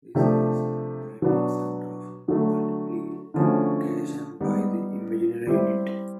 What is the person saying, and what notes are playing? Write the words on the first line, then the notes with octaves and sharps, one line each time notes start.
This is reminiscent of multiplication by the imaginary unit.
C3 F3 A3 D4 G4
B2 F#3 B3 D4 F#4
D3 F#3 A3
D3 F3 A3 C#4 F#4
G3 B3 D#4
G3 C4 E4 G4